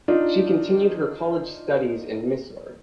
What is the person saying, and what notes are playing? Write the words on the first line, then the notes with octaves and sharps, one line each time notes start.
She continued her college studies in Mysore.
D4 D#4 F4